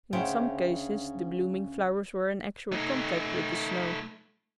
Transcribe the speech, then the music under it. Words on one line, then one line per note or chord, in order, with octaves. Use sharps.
In some cases the blooming flowers were in actual contact with the snow.
D2 C#3 C5 G5
A3 D#4